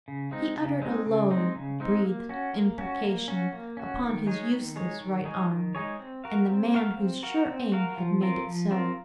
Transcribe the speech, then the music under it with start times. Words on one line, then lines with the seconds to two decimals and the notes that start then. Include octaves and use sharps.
He uttered a low, breathed imprecation upon his useless right arm, and the man whose sure aim had made it so.
0.08 C#3
0.31 G#3 C4 D#4
0.57 C#3
0.82 G#3 C4 D#4
1.06 C#3
1.31 G#3 C4 D#4
1.55 C#3
1.80 G#3 C4 D#4
2.05 A#3
2.29 C#4 F#4
2.53 A#3
2.78 C#4 F#4
3.04 A#3
3.28 C#4 F#4
3.53 A#3
3.77 C#4 F#4
4.03 D#3
4.27 G#3 D#4 G#4 C#5
4.52 D#3
4.76 G#3 D#4 G#4 C#5
5.00 D#3
5.25 G#3 D#4 G#4 C#5
5.50 D#3
5.75 G#3 D#4 G#4 C#5
5.99 C4
6.24 F#4 A#4 F5
6.49 C4
6.74 F#4 A#4 F5
6.98 C4
7.23 F#4 A#4 F5
7.47 C4
7.72 F#4 A#4 F5
7.97 F3
8.21 C4 F4 A#4
8.47 F3
8.71 C4 F4 A#4